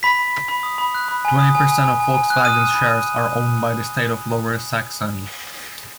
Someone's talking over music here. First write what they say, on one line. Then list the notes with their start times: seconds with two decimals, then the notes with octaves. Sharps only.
Twenty percent of Volkswagen's shares are owned by the state of Lower Saxony.
0.03 B5 B6
0.19 B5
0.33 B5
0.48 B5
0.63 D#6
0.78 B5
0.95 F#6
1.08 B5
1.25 G#5
1.39 D#6
1.55 G#5
1.69 G#5
1.85 G#5
2.00 G#5
2.14 G#5
2.30 F#6
2.45 D#6 F6 D#7
2.60 F6
2.75 B5